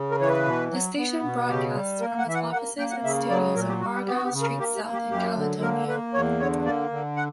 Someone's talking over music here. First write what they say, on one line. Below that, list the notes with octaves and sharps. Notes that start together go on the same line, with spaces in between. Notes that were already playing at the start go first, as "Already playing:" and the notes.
The station broadcasts from its offices and studios on Argyle Street South in Caledonia.
Already playing: C#3
A#4
E3 C#5
B4
B2
F#3
B3
B2
C#3 G4
G3
A#3 A#4
F#5
E3 E5
F#5
A#3 F#5
A#3 G5
F#5
C#3 E5
F#3 D5
A#2 A#4
G4
G3 F#4
G4
B3 G4
F#4
G4
C#3
A#4
A#3 G4
G4
A#3
G4
F#2 G4
D3
A#3 A#4
A#3 B4
E2 C#5
D3 C#5
A#3 D5
D3
F#5